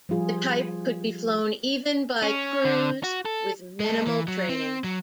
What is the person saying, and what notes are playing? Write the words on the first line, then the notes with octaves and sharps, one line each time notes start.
The type could be flown even by crews with minimal training.
F3 G3 F4 G#4
C#4
D3
F#4
A4
G#3 A4
E3
F#3
C4
F#3